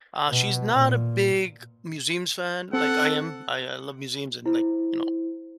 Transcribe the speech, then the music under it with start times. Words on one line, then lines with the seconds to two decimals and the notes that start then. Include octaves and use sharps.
Uh, she's not a big museums fan like I am. I I love museums and, like, you know,
0.29 B2
0.71 A#2
2.73 C4 A4 F#5
4.46 E4 C5